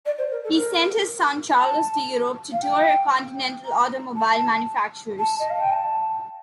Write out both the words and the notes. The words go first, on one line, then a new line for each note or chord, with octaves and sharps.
He sent his son Charles to Europe to tour continental automobile manufacturers.
D5
C5
A#4
A4
A#4
A5
F5
G5
A#5
A5
A5
D#5
F5
G5
A5